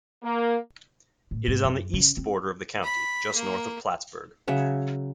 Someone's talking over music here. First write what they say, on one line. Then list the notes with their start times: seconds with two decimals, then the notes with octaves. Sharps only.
It is on the east border of the county, just north of Plattsburgh.
0.23 A#3
1.31 A2
1.48 G#2
1.64 F#2
1.93 C#3
2.17 C4
2.84 B5
3.35 A#3
4.48 C#3 F#3 E5 F#5